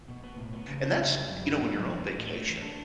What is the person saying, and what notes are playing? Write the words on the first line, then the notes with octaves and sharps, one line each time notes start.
And that's you know, when you're on vacation
B2
B3
A2
B3
C#3
D4
C#3
G3
F#2
G3
A2
F#3
E2
A3
A2
A3
E2
D4